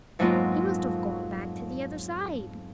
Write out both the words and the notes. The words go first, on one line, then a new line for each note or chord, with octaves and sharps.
He must have gone back to the other side.
F2 G#2 F#3 A#3 B3 F4